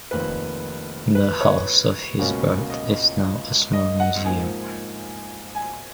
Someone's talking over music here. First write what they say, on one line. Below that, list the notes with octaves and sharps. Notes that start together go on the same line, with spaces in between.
The house of his birth is now a small museum.
F1 F2 D#3 A#3 B4
B4
C#5
C#2 B2 A#3 C#4
D#5
D#5
F#5
G#2 F3 A#3 D#4 G#5
G#5